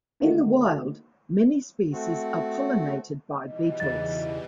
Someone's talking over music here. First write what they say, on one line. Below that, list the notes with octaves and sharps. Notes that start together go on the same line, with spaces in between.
In the wild, many species are pollinated by beetles.
D3 D#3 A3 A#3 D#4 F#4
A3 C4 F#4
B2 E3 G3 D#4
E2 C#3 A6